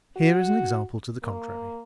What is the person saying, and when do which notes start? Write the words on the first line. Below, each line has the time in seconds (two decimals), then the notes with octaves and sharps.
Here is an example to the contrary.
0.16 F#4
1.23 A#3